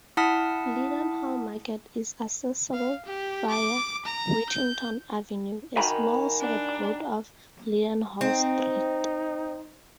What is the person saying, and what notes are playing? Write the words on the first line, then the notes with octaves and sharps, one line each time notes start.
Leadenhall Market is accessible via Whittington Avenue, a small side-road off Leadenhall Street.
E4 F#5 A5 D#6 F6 B6
F5
G4
D6
A#5
G6
D#3 F#4 G#5 A#5 B5
D4
C4 D#4